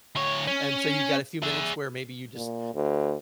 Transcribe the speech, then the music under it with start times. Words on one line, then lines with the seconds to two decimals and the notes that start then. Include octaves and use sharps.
And so, you got a few minutes where maybe you just
0.16 D2 C#5
0.47 C#4
1.42 G#4 E5
2.35 A#2
2.74 D2